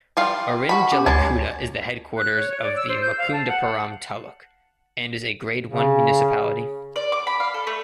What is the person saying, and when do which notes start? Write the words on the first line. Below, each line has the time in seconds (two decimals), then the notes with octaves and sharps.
Irinjalakuda is the headquarters of the Mukundapuram Taluk and is a Grade-I municipality.
0.17 G3 F4 F5
0.69 F#4 B5
0.92 C#4 G4
1.06 D2 G#3 C#5 A5
2.17 F#6
2.37 C#5
2.49 C#5
2.62 D5
2.77 E6
2.89 C5
3.01 G6
3.18 F5
3.32 A5
3.48 F#5
5.68 C#3
6.96 D5
7.12 D6
7.27 B5
7.40 F5
7.54 A4
7.67 A3